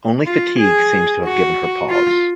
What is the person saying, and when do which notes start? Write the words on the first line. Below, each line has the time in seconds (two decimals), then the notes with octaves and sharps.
Only fatigue seems to have given her pause.
0.27 F4
0.60 G#4
1.25 F#4
1.90 F4